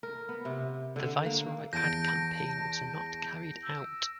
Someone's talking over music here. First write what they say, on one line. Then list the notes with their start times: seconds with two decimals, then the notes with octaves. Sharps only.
The Viceroy ad campaign was not carried out.
0.03 A#4
0.29 B3
0.45 C3
0.96 D3
1.26 A#3
1.73 E2 A5 G6 A#6 D7
3.63 E6